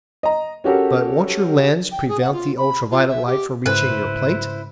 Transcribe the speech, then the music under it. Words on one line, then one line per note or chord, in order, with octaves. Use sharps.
"But won't your lens prevent the ultra-violet light from reaching your plate?"
D#5 A#5
C#4 F#4 G4 A4 A#4
G5
G#4
F#5
F4
B5
F4
E5
G4
G#2 C#3 E4 B4 C5